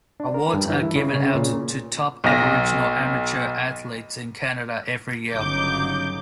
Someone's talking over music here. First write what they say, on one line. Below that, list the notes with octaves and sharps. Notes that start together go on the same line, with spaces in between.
Awards are given out to top Aboriginal amateur athletes in Canada every year.
D4
A#4
G2
E3
E4
C#3
C#3
A#2
B1 A#6
G1 C#3 F#3 D#4 D6 G6